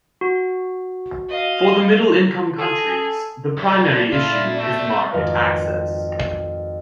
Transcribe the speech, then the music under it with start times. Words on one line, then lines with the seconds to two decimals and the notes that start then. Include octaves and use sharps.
For the middle-income countries, the primary issue is market access.
0.21 F#4
1.29 D#5 F5
2.58 G#4 A4
3.57 B1 A2 D5
4.12 A#2 E4 F4 A4
4.59 A3 C4 A4
5.12 G#1 F2 A#4 B4 F5